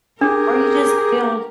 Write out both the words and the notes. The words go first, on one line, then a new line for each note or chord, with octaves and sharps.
Or, you just feel
D4 G4 G#4 A#4